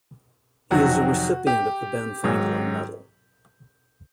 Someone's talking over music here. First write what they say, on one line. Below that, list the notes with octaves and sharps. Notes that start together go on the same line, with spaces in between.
He is a recipient of the Ben Franklin Medal.
F2 C3 D#3 F#3 F#4
G4
G#2 D#3 F#3